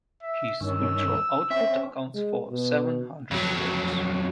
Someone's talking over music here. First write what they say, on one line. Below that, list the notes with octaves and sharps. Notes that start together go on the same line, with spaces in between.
His sculptural output accounts for seven hundred works.
E5
G2 D#3 C#4 E6
C4 C#4 E5
G#3
B2
F2 F#3